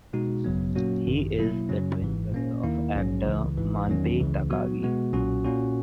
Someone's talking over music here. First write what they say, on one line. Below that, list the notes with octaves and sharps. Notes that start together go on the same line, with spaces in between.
He is the twin brother of actor Manpei Takagi.
B2 G#3 D#4 F#4
G#1 F#2 C#3 F#3 B3
A#2 F#3 A#3 C#4 F#4
G#1 F#2 D#3
B2 F#3 A#3 E4
F#2 C#3 F#3 C#4
G#1 G#2 E3
A#2 A#3 C#4
D#2 D#3 A#3 E4
A#1 G#2 F#3 C#4
C#2 C#3 E3
G#1 G#2 E3
E2 D#3 F#3 C#4
C#2 C#3 E3
A#2 F#3 B3 F#4
B2 G#3 B3 F#4
B1 A#2 F#3 C#4 F#4
A#2 A#3 C#4 F#4